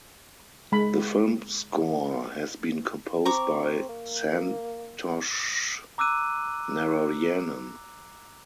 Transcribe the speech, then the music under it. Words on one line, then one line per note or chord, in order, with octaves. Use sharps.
The film score has been composed by Santhosh Narayanan.
G#3 B5
C4 A#5 C#6 D6
A#3
A#5 D6 E6 F#6 D#7